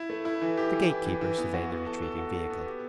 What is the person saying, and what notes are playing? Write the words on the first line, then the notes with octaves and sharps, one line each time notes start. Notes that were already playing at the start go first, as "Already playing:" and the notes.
The gatekeeper surveyed the retreating vehicle.
Already playing: E4
A3
E4
E3
G4
E3
E4
E3
E3
B3
F#4
F#4
A4
A4
F#4
F#4
B3
G4